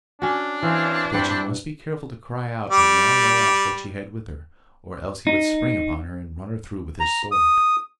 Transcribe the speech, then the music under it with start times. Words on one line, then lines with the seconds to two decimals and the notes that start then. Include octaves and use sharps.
But that she must be careful to cry out a long way off what she had with her, or else he would spring upon her and run her through with his sword.
0.22 C#4 D4 F#4
0.62 E3 C4 C#5 F5
1.14 G2 C4 F#5 G5 B5
2.70 G3
5.27 D#4
7.00 A#5
7.31 D#6